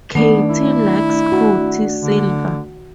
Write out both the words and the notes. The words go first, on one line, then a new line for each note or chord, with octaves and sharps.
Katie likes Scottie Silver.
D#3 A3 B3 D4 D5
E4
F#4
D3